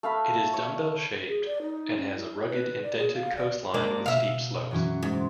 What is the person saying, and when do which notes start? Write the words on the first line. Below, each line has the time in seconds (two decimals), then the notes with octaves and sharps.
It is dumbbell-shaped and has a rugged indented coastline with steep slopes.
0.03 A3 F5 B5
0.54 C#5
1.28 G#4
1.46 D5
1.62 D#4
1.97 C#4
2.15 E4
2.48 B4
2.83 D5
2.98 G#4
3.14 F5
3.37 D5
3.74 G#2 A#3 D4
4.06 B2 E5 F5
4.71 F#2 E3 C#4
5.03 G#2